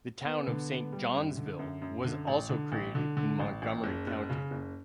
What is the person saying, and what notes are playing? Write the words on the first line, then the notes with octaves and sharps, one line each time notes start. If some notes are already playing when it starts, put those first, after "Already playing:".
The Town of Saint Johnsville was also created in Montgomery County.
B3
D3
B3
G3
F#2
D3
F#2
F#2
D3
A1
D3
A1
D3
D3
A1
A1
F#1
F#1
C#3
F#1